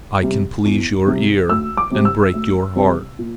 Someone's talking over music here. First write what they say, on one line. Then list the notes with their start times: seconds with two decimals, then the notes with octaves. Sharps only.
I can please your ear and break your heart.
0.23 C3 G3
0.65 E2
1.07 C3 G3
1.49 D2 E6
1.77 D6
1.91 C3 G3 C4
2.05 E6
2.34 D2
2.76 C3 G3 C4
3.19 A#2